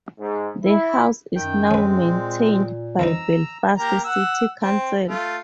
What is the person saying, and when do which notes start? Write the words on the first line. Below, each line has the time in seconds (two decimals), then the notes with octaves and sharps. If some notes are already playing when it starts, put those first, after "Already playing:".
The house is now maintained by Belfast City Council.
0.19 G#2
0.65 E4
1.36 F#2 D#3 G5
1.71 G#3 C4 C#4 B4
2.04 A#2
2.99 F2 E3 D#4 A#5 E6
3.78 A#3 G4 A#5
4.04 F#5 E6
4.63 C4
5.08 A3 F4